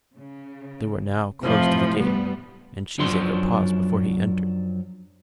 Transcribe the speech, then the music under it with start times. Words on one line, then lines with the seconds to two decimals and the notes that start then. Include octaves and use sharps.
They were now close to the gate, and Cheesacre paused before he entered.
0.16 C#3
1.43 F2 A2 C3 E3 F3
1.98 G2 G3 B3
2.99 F#2 F3 F#3 D4 C6